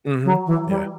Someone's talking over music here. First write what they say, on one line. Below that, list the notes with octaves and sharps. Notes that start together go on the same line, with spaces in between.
Mhm. Yeah.
F#3
E3
G3